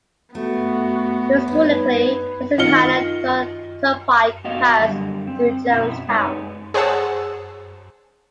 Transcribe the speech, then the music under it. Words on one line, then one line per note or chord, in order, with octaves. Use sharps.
Historically, the Susquehanna and Tioga Turnpike passed through Jonestown.
A3 B3 F#4
G2 D#4 B4 C#5
D#3 F4 D#5 F6 C#7 G7
A#3 B3 F#4 D#5 F5
F#2 D3 G3
C4
B2 C#4 E4
G#3 D#4 B4 C#5
G#4 C5 C#5 F#5 A5 E6